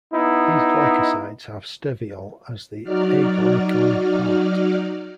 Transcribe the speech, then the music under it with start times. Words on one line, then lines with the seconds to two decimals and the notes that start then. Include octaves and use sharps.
These glycosides have steviol as the aglycone part.
0.14 B3 D#4 E4
2.83 F#3 D#4 F#4 D5 F6